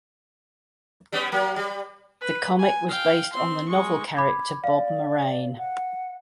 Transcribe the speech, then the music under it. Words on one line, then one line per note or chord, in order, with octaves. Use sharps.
The comic was based on the novel character Bob Morane.
G3 B3 C#4
F#3 A#3
G3
B4
G#5
F5 G5
C4 C6
G#3 C#6
B5 D6 G#6
D5 F5
F#5